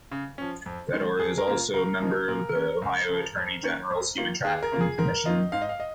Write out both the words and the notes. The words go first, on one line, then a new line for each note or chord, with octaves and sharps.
Fedor is also a member of the Ohio Attorney General's Human Trafficking Commission.
C#3
F3 C#4
F2
D#3 G#3
F2 G#4
A#4
C#3 A#3 F4
C#2 A#4
C#3 F3 A#3 D#4
A#2 A#4
A#3 C#4
C#2
C#3 F3
F2
D#3 A#3 C#4
F2
D#3 A#3 F4
D#2 G#4
A#4
C#3 A#3 F4
G#4
G#2 A#4
D#3 A#3 F4 D#5
G#2 F5
D#5
F5
D#5